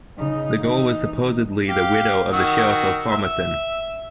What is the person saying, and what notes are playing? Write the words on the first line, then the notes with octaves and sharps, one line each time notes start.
The girl was supposedly the widow of the sheriff of Carmarthen.
C#3 D#4
E3 D#4
G4 F5
D#3 F#4 E6
E5